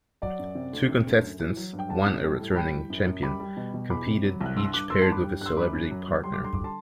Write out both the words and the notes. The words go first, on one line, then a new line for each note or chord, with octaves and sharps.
Two contestants, one a returning champion, competed, each paired with a celebrity partner.
F#3 D5 F#5
F#2
C3
D2
C3
D2
F#2
E3
F#3
G2
G5
G3 F#5 A5
F#2
G3
A2
A5
G3 G5 B5
E3
F#2
F#2
G3 B5 D6
G3
B2
B2
E2 B5 D6
C3
F#3
C2
F#6
G2 C6 E6
G2 D6 F#6
G2 C6 E6
A5 C6
G2
B5 D6
G3
G2 F#6
C6 E6
F#2 B5 D6
F#2
F#3
F#3
G3 C6
D6
D3 C6
G3 D6
A5 C6